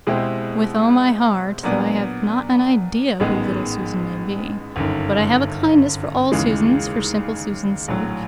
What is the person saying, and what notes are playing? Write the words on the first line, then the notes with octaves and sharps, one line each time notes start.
'With all my heart, though I have not an idea who little Susan may be. But I have a kindness for all Susans, for simple Susan's sake.'
B2 G#3 C4 E4 G4
A#2 F#3 B3 D4
A1 G#2 D#3 G#3 B3
G1 F#2 D#3
D#2 C#3 E3 G#3
A#1 A2 F#3